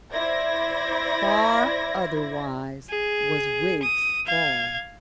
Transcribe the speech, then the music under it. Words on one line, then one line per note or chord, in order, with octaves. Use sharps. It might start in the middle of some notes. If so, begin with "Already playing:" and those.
Far otherwise was Wiggs's fall.
E4 C5 D5 G#6 A#6
G#4
D#6
F5 G#6